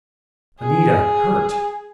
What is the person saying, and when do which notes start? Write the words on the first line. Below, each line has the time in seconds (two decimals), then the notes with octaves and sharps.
Anita hurt!
0.60 G#4